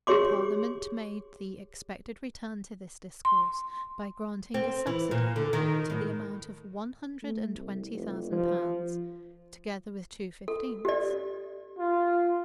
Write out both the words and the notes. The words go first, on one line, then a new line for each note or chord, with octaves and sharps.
The parliament made the expected return to this discourse, by granting a subsidy to the amount of one hundred and twenty thousand pounds, together with two fifteenths.
G4 G#4 C#5 C6 D6
C6
C4
E3
A#2
D3
D#3
A2
A3
C2
F1
F3
A4
G4 D5
F4